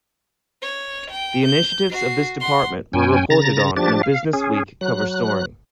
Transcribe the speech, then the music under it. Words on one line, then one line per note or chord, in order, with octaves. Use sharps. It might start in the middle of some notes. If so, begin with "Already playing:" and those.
The initiatives of this department were reported on in a "BusinessWeek" cover story.
C#5
G5
G6
F#4 C7
F#5 C6
F#2 C#4 G5 G#5
C#3 A#5 A6 A#6
F3 D4 G4 A6
F5
C#4 G#4
F#3 F#6